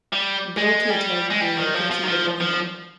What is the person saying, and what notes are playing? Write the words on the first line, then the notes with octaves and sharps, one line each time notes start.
Bill to attend the University of Illinois.
G3
G#3
G3
G#3
G3
D#3
F3
F3
D#3
F3
F3